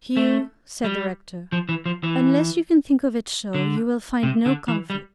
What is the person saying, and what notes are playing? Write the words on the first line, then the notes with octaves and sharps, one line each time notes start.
"Hugh," said the rector, "unless you can think of it so, you will find no comfort."
A3
G3
F3
E3
F3
E3
D3
C3
D3
E3
G3